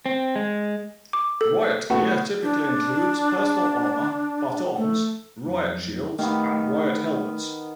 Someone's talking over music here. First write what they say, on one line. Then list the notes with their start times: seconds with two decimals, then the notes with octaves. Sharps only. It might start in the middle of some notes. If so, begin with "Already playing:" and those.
Riot gear typically includes personal armor, batons, riot shields and riot helmets.
0.06 C4
0.36 G#3
1.13 D6
1.41 A4
1.90 A3 B3 F#4
2.43 D4
4.76 A3
5.46 F2 F#3
6.19 D#3 A3 B3 G4 F5